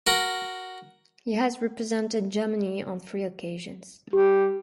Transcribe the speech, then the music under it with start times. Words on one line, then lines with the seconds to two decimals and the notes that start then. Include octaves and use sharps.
He has represented Germany on three occasions.
0.07 F#4 A#4
4.13 G3 G4